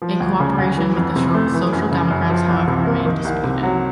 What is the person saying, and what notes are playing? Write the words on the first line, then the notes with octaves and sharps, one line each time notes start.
A cooperation with the Social Democrats, however, remained disputed.
F3
D2
C#3
D2
E3
F2
C3
A3
E3
F#2
C#3
F#2
F3
C2
C3
A#3
D#3
C2
C3
F#3